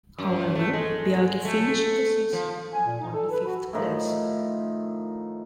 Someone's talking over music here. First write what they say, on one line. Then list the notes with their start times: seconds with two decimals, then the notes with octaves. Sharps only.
However, Biaggi finished the season in only fifth place.
0.18 F#2
0.55 A3
0.73 G#3
1.45 A3
2.33 F3
2.73 G#5
2.85 A#2
3.00 D#4
3.13 A4
3.30 B4
3.45 F#4
3.73 A2 D#3 F3